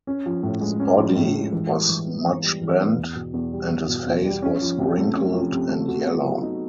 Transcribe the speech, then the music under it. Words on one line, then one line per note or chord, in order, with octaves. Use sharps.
His body was much bent, and his face was wrinkled and yellow.
C#4
F3
A2
G#3
C#4
F3
A2
G#3
E3
G3
E3
B3
E3
G3
E3
B3
E2
B2
E2
G3
E2
B2
E2
G3
C#4
F3
C3
A3
C#4
F3
C3
A3
F#4
B3
F#3
D#4